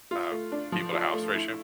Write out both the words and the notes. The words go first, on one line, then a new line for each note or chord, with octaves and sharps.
uh, people to house ratio
F4
A3
D4
F3
F4
A3
E4